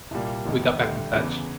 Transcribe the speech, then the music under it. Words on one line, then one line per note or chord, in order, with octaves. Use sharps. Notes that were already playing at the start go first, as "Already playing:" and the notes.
we got back in touch,
C2 A#2 G3 A#3
F1 D#2 D#3
D2 D3 G3
E2 C#3 E3